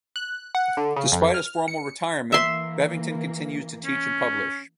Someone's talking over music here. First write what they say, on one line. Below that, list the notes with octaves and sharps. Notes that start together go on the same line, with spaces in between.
Despite his formal retirement, Bevington continues to teach and publish.
F#6
F#5
D3
C#3
F2
F6
C#7
E3 A#3 E5 C6
C#4